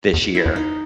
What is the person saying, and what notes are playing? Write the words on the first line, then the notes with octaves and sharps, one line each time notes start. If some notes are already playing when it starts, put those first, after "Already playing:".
this year,
E2
E4
E2
D#4